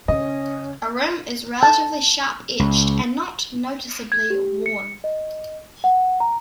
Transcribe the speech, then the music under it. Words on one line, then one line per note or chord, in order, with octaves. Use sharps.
The rim is relatively sharp-edged and not noticeably worn.
C#3 C#4 D#5
A5
C#2
G#6
G4
C#7
D#5
F#5
A#5